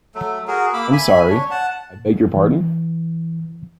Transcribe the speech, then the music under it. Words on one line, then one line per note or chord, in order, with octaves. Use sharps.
I'm sorry. I beg your pardon.
F#3 A3 A4
F#4 G#4 A#4
A#3 B5 D6 E6
E5 G#5 B5
D4 C#5
F#5 A5
E3